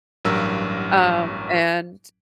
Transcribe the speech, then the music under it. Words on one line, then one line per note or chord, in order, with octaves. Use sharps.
Um, and,
A1 G2 F#3 A#4 E6